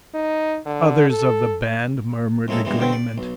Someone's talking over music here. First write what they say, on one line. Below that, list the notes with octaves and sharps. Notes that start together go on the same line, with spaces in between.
Others of the band murmured agreement.
D#4
D3
A4
F2 A2 G#3 A#3 A4
G2 B2 E3 G#3
E2 B2 D3 C4 G5
D5
B1